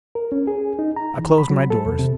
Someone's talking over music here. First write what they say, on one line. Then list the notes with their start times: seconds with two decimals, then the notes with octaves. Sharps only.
I closed my doors.
0.15 A#4
0.32 C#4
0.47 G#4
0.79 D#4
0.96 A#5
1.18 E3
1.38 B5
1.50 F#3
1.70 A4
1.86 E2
1.99 C3